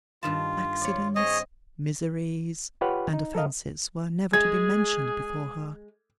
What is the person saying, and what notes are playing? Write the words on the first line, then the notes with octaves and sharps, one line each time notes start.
Accidents, miseries, and offences, were never to be mentioned before her.
G2 D#3 F4 A5
C#5 D5
C4 G#4 C#5 D#5
F4 G4 B4 C#5 F5 F#5
D#4
A4 A#4 D#5 F5
G#3 G#4 G#6